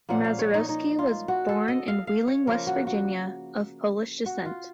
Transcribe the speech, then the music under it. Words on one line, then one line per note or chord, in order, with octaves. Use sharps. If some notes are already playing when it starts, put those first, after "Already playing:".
Mazeroski was born in Wheeling, West Virginia, of Polish descent.
A#2 F3 A#3 C#4 F#5
F5
C#5
D#4
D#4
F4
F#4
A4
D#5
F5
F5
C#5
C#3 F3 A#3 A#4
F#4
F#4
F#4
F4